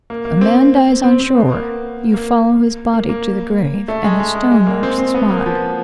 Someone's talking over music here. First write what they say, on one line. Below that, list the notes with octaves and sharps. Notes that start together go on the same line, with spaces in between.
A man dies on shore--you follow his body to the grave, and a stone marks the spot.
A#3
A#3
C4
C4
C4
B3
A#3
A#3
A#3
A#3
A3
G#3
G#3
G#3
G#3
A#3
C4
C4
B3
A#3
F3